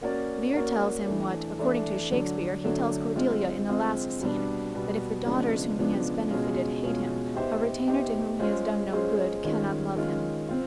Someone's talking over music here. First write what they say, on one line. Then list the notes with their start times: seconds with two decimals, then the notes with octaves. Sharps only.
Leir tells him what, according to Shakespeare, he tells Cordelia in the last scene, that, if the daughters whom he has benefited hate him, a retainer to whom he has done no good can not love him.
0.01 A#3 C#4 F#4 A#4 D5
0.54 A#3 C#4 F#4 A#4 D5
1.07 E3 A3 D4
1.59 E3 A3 D4
2.11 D3 F#3 A3 D4
2.64 D3 F#3 A3 D4
3.16 G#3 C4 F4
3.69 G#3 C4 F4
4.20 B2 G3 B3 D4
4.73 B2 G3 B3 D4
5.25 C#3 F3 G#3 B3 D4
5.78 C#3 F3 G#3 B3 D4
6.30 B2 G#3 C#4 F4 G#4
6.83 B2 G#3 C#4 F4 G#4
7.34 B3 D#4 G4 C5 E5
7.86 B3 D#4 G4 C5 E5
8.39 G#3 C#4 F4 G#4 C5
8.92 G#3 C#4 F4 G#4 C5
9.44 D#3 G#3 C#4 F4
9.96 D#3 G#3 C#4 F4
10.49 C4 F4